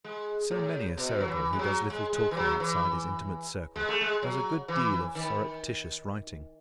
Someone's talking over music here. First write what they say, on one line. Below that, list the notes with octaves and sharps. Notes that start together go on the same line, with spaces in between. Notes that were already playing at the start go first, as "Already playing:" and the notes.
So, many a Cerebral who does little talking outside his intimate circle does a good deal of surreptitious writing.
G#3
A2
B2
F#3
E3
G#3
F#3
G#3
G#3
E3
F#3
E3
G#3
A3
G#3
F#3
E3
D#3